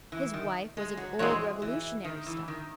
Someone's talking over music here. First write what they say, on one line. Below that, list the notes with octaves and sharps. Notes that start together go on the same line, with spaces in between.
His wife was of old Revolutionary stock.
E3
D#3
G#3
F#3
E3 G#3 C4 F#4 C#5
E3
D#3
E3
D#3